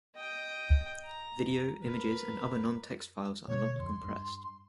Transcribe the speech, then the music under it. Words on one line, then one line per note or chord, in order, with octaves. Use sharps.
Video, images, and other non-text files are not compressed.
D#5 G5
A#5
A#4 B4
B2 D3 A#3 C#5
F1 F2 C6
G2